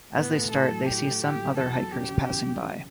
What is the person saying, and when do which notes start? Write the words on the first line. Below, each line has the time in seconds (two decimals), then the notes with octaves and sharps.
As they start, they see some other hikers passing by.
0.15 A2 B3
0.33 A3
0.51 A2 A4
0.68 F#3
0.86 A2 G4
1.04 A3
1.21 A2 G4
1.40 F#3
1.57 E2 A4
1.75 F#3
1.92 C#4 G4
2.10 C#3
2.28 E2
2.46 F#3
2.64 C#4